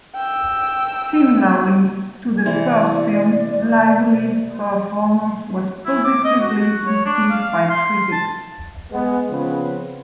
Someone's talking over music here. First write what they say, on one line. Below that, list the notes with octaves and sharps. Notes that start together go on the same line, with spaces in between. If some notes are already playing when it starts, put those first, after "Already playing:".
Similarly to the first film, Lively's performance was positively received by critics.
G5 E6
C3 E3 C5 D5
E4
D6
D#5
F#4
C#5
D4
F5
C6
A5
G#3 B3
C#3 F3 B3 C4 B4